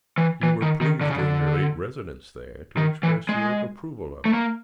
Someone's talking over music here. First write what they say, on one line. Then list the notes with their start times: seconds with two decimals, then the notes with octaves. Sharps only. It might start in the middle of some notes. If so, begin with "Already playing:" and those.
You were pleased, during your late residence there, to express your approval of it.
0.18 E3
0.43 E3
0.62 D#3
0.81 D#3
1.01 D3
1.10 C#3
1.18 D3
2.77 D#3
3.03 E3
3.29 G#3
4.25 A3
4.33 A#3